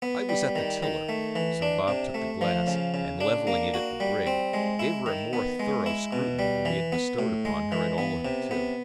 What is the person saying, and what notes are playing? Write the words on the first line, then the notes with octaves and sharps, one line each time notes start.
I was at the tiller; so Bob took the glass, and levelling it at the brig, gave her a more thorough scrutiny than we had bestowed upon her at all hitherto.
B3
G3
D#3
D#3
A3
E3
D4
C3
A3
F3
C#3
C#3
D4
A#3
F#4
G3
C4
G#3
E4
D#3
B3
G#3
E4
B2
G3
E3
B3
A2
G#3
E3
B3
C3
B3